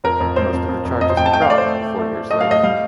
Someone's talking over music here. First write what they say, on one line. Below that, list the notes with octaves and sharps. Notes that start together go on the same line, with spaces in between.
Most of the charges were dropped four years later.
F2 A#4
F2
F2 C5
F2
F2
F2
F2 D#5
C5
F2 G5
A5
A3 G5
F5
A3 D5
C5
A3
A3
A3
A3
A3 D#5
F5
A3 D#5
G3 F5